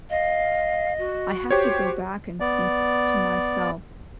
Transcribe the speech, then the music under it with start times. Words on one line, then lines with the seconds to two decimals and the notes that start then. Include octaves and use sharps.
I have to go back and think t to myself,
0.10 D#5 F5
0.98 F#4
1.51 G4 C5 C#5
2.40 B3 D5